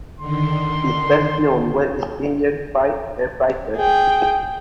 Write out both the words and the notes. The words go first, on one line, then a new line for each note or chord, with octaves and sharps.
His best-known work is "Indian Fights and Fighters".
D3 D#3 C6
G#4 G5